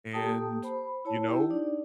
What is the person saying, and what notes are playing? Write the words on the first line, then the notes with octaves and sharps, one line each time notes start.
and, you know
A#3 G4 A4 G5 A5 D#6
C5 B5
E4 C#5 A5
E4 G4 G5
D4 D#4 D5